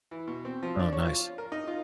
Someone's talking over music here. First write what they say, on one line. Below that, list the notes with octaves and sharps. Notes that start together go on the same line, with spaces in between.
Oh, nice.
E3
B2
C4
F3
D4
C#5
F4
A#4
D#4
F4